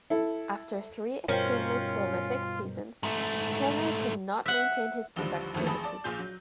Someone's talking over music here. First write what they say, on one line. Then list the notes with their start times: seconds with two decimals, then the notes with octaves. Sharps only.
After three extremely prolific seasons, Turner could not maintain his productivity.
0.10 E4 A4
1.28 G2 B2 C#4 F4 A#4 C5 G5
3.03 G#2 A3
4.46 E5 F#5
5.16 A1 D#2 D3 F3 G3
5.54 F2 D3 D#3 F3 A3 A#3
5.66 A1 G#4 A5 B5 D#6
5.84 D5 A5
6.04 A#1 A#2 F4 G#4 G6
6.19 F#3